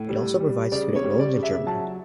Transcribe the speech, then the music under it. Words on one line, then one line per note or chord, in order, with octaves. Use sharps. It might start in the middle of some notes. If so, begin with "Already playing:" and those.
It also provides student loans in Germany.
Already playing: A2
G3
G3
C#3 D5
C#5
G3
D5
C#3
E5
F#3 A5